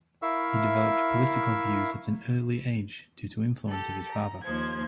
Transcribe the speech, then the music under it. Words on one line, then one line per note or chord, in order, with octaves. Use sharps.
He developed political views at an early age due to influence of his father.
E4 A#4 E5 F5 C#6 E6
G4 A4
A#5
D#2 F3 C5 G#6